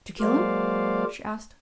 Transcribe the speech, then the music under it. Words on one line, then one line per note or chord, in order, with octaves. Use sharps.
"Did you kill him?" she asked.
F#3 G#3 A#3 C5 D5 F5